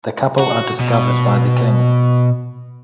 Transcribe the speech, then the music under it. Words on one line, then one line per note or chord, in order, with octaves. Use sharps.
The couple are discovered by the king.
F#4
B2